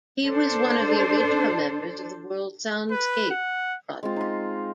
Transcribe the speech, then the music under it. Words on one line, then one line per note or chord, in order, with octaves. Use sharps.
He was one of the original members of the World Soundscape Project.
D4 A4 C5
B4
F#5
G#3 C4 F4
D#4 F4